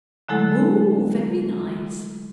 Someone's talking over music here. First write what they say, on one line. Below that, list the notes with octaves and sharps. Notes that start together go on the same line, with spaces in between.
Oh! very nice!'
D3 F#3 G#3 A3 E4 A4